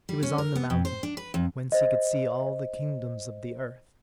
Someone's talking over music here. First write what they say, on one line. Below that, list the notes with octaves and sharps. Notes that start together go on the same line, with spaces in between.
He was on the mountain, whence he could see all the kingdoms of the earth.
G3
C#4
A#4
B3
F2
C5
D4
B4
F2
C5 D#5